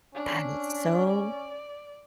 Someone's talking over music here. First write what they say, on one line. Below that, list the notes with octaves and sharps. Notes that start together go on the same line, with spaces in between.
That is so
C#4 D4
D5